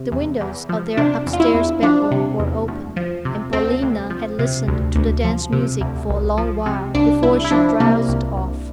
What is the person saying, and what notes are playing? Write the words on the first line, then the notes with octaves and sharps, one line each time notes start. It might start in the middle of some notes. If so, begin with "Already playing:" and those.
The windows of their upstairs bedroom were open, and Paulina had listened to the dance music for a long while before she drowsed off.
Already playing: C3
E2
E2
F3
C3 D4
E2
F4
E4
E2
F3 D4
C3
E2
D2
F3
C3
D2 C4
D2
F3
C3
D2
D2
F3
C3
D2
C2
F3
C3
C2 D4
C2 E4
E4
F3 D4
C3 A#3
C2
C2